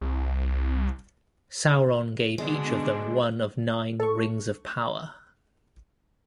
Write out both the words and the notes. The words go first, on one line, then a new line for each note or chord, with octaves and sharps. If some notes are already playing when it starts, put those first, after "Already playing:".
Sauron gave each of them one of nine Rings of Power.
C2
B2 D3 G#3 D4
A4 C#6